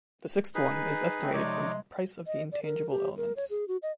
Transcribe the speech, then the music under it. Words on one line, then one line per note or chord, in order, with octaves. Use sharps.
The sixth one is estimated from the price of the intangible elements.
D#4 G#4 B4
A3 C4
C3 F3 G#3 D#4 C#5 D5
D#5
D5
A#4
G4
A#4
C#5
G#4
F#4
D#5